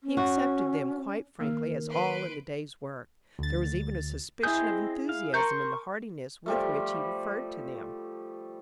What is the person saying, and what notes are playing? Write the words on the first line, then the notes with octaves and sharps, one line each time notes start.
He accepted them quite frankly as all in the day's work; there was even a suspicion of enthusiasm in the heartiness with which he referred to them.
C#4
F#4
D#3 A#3 F6 C7
B4 C6 D7
D2 A6
C4 E4 G#4 D#5 G6
F5
A#4 C6 C#6 G6
F3 G3 A3